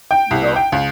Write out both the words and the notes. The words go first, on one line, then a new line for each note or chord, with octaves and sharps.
you know?
G5
C2
G5
C#2